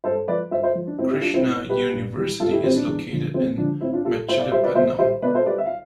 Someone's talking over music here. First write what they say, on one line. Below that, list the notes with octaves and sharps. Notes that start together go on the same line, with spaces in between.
Krishna University is located in Machilipatnam.
G2 A4 C5
F3 B4 D5
G2 C5 E5
C5 E5
F3
D4
A2 C4 E4
E4 G4
G3 D4 F4
C4 E4
A2
G3 G4 B4
G2
E3 G3
G2 F4 A4
E4 G4
E3 G3 C4
D4
E2
D3 F3
E2 C4
D3 F3 D4
A2 C4 E4
D4 F4
G3 F4 A4
A2 C5 E5
D5 F5
G3 C5 E5
B4 D5
B2 C5 E5
G3 C5 E5
B2 B4 D5
A4 C5
G3 B4 D5
E5
F5